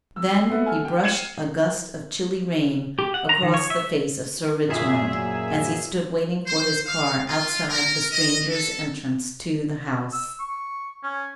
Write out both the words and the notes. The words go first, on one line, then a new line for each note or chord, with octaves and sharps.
Then he brushed a gust of chilly rain across the face of Sir Richmond as he stood waiting for his car outside the strangers' entrance to the House.
E6
C7
A3 B3 E5 F#5
A4 G#5 F6
G5
G#6 C7 C#7 D#7 E7 F#7
G4
F#5
A#5
D#3
C#5
E5
F#2 A#2 G#4 E5
C5
F5
F4
A#4
D#5
A4
E6
C#6
C#4